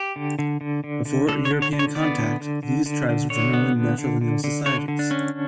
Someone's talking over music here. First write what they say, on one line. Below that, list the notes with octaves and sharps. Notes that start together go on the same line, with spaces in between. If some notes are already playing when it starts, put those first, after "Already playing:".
Before European contact these tribes were generally matrilineal societies.
Already playing: G4
D3
D3
D3
D3
D3
D3 A4
C#5
D3
C#5
D3
C#5
B3 D5
D3
D3
D3
D3
D3
D3 C#5
B3
D3
D3
D3
D3
D3 C#5
D3
D4
C#4